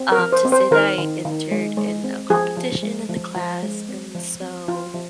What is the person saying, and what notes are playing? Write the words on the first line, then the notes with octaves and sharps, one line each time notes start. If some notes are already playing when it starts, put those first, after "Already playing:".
um, to say that I entered in a competition in the class, and so,
Already playing: C4
A#4
F3
C5
C4
C5
D#3 A#4
D#3
D#3
G#3
G#3
C4
F3 G#4
F3
G#3
F3
F3
G#3
C4
F3
C4
F3 F4
F3